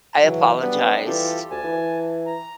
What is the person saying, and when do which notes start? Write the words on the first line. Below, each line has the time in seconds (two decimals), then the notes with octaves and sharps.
I apologized
0.22 C#3 E3 F#3
0.61 G3 B3 D4
1.06 E3 F4 G4 A4
1.51 D2 G#5 A5
1.64 E3
2.26 A#5